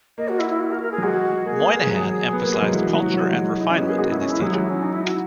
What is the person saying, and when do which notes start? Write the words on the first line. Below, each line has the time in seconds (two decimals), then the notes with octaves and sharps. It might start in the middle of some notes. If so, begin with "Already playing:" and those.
Moynihan emphasized culture and refinement in his teaching.
0.18 A#3 D#5
0.29 F#4
0.39 E4
0.50 E4
0.60 F#4
0.71 A#4
0.82 A#4
0.92 G#4
0.98 F#3
1.02 G#3 F#4
1.45 A#3 G#4
1.59 B3
1.74 A#3
1.87 F#3
2.33 B3
2.43 A#3
2.53 G#3
2.62 F#3
2.72 E3 F#4
2.94 F#3
3.14 F#3
3.23 G#3
3.33 F#3
3.56 E4
3.61 D#4
3.67 C#4 E4
3.77 B3 G#4
3.84 F#4
3.88 A#3 G#4
3.98 G#3 F#4
4.10 E4
4.19 C#4
4.31 E4
4.41 F#3 G#4
4.55 E4
4.70 C#4
4.83 D#4
4.93 E4
5.04 F#4